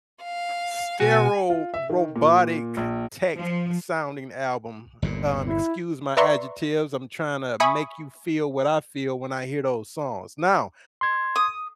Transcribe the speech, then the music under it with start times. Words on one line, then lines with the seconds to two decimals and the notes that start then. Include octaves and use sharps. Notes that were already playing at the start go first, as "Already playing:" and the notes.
sterile, robotic, tech-sounding album. Um, excuse my adjectives, I'm tryna make you feel what I feel when I hear those songs. Now,
0.21 F5
1.00 B2 F#4 G#5
1.50 F4
1.74 E5
1.89 D#3
2.16 A#2
2.77 A#1
3.35 F3
5.02 G1 D#2 A#2
5.44 E4
6.17 B4 D5 E5 A#5 C6 C#6
7.60 E5 G#5 B5 C#6 D#6
11.01 C6 G#6
11.36 D#6